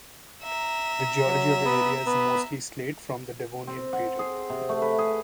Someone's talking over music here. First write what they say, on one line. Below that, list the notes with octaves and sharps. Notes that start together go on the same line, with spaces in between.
The geology of the area is mostly slate from the Devonian period.
E5 A#5
F#3
B3
B3
C4
F#5
G#4
C3
A3
B4
G#4